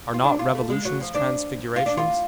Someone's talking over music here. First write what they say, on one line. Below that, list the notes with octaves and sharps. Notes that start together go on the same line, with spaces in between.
Are not revolutions transfigurations?
F4
D4
F4
A3
G#3
F#3
F3
D4
F4
D4
F4